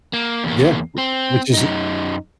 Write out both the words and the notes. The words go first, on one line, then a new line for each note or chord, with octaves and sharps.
Yeah. W which is it
A#3
E2 A#3
C4
F#2 D#4